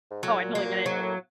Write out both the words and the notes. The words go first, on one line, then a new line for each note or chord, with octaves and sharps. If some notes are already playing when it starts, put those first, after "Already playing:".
Oh, I totally get it.
G#2
A2 F#3
A#2
A#3
A#2
G#2 F#3
A2